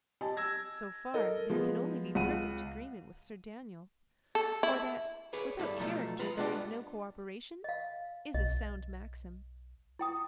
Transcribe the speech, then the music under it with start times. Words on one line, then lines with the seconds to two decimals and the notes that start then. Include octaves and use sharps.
So far there can only be perfect agreement with Sir Daniel, for that 'without character there is no co-operation' is a sound maxim.
0.21 G4 D#5 G#5 A5
0.37 E6 G#6 A#6
1.14 A4 A#4 D#5
1.50 F3 G#3 B3
2.15 C#2 F#5 D#7
4.35 A4
4.63 E4
5.33 G#4 B4 C#5 D5
5.58 C#2 G2 G3 E4 A4
5.80 B2 F3 F#3 A3 F4 A4
6.19 F4 B4 A#5
6.37 G#3 B3 D4 F4 G4
7.64 D#5 F5
8.34 B1 D#5
9.99 E4 G5 D#6